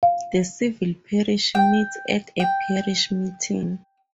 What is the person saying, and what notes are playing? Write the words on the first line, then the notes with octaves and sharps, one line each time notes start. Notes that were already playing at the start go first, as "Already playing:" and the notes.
The civil parish meets at a Parish Meeting.
F5
G5
G5